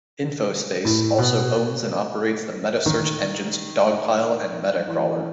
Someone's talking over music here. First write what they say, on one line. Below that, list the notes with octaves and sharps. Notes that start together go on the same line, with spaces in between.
InfoSpace also owns and operates the metasearch engines Dogpile and MetaCrawler.
A2
B2
D#3
E3